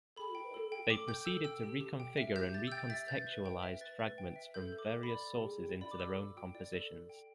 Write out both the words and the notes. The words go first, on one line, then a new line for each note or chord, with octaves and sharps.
They proceeded to reconfigure and recontextualize fragments from various sources into their own compositions.
A4 B5
G5
A4
G5
A4 D6
G5 G6
A4 E6
G5 E6
G4
G4
G5
E5
G4 G6
G4 A6
E6
G5 G6
E5 A6
B4 G6
B4
G5
E5
B4 A6
B4
G5
E5
A4 G6
A4
D6
G5
B5
D5
A4
A4
G5
D5 B5
D6
A4 E6
A4
G5
D5
A4
A4
G5